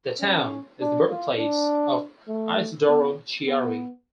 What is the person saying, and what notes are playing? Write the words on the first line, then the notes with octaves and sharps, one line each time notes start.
The town is the birthplace of Isidoro Chiari.
C#4
D4
F4
D4
A3
B3
B3